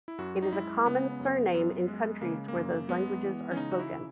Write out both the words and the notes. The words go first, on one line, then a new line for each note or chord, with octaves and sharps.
It is a common surname in countries where those languages are spoken.
E4
F#2 F#4
D#4
G#3 E4
C#3 B3
F#2
F#2
G#3
C#3 A#3
A#3
F#2
G#3 B3
E3
C#4
C#3 D#4
F#4
E4